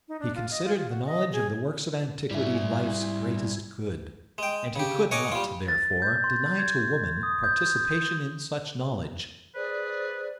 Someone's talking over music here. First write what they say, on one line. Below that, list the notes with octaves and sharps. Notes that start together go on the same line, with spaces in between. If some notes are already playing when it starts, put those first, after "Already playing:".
He considered the knowledge of the works of antiquity life's greatest good, and he could not, therefore, deny to woman participation in such knowledge.
D#4
D4
F4
D#5
F4
F4
F#4
D#5
G#4
G#2 G3 E4 E5 G#5
G#3 G5
C#3 G4
C#5 D#5 F#5 G#5 A#5 D6
G3 F4
A6
G6
C6
G#6
D#6
G6
G#4 B4 C5 D5